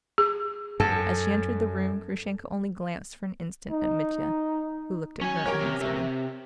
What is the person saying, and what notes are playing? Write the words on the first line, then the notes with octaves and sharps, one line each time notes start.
As she entered the room, Grushenka only glanced for an instant at Mitya, who looked at her uneasily.
G#4
F#2 A4
D#4
F#3 C#4 G#5
G4 A#4 C#5
C3
C3 E5